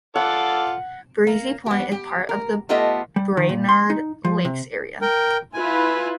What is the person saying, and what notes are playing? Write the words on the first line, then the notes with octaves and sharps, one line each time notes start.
Breezy Point is part of the Brainerd Lakes Area.
F4 A4 D5 F#5
A#3
B3 G4
G4
A#4
A3 B3 F4 G4 A4 D#5
G3
D#3
A#2
C6
D#4
F3
C3
A#4 G5
E4 F4 B4 G#5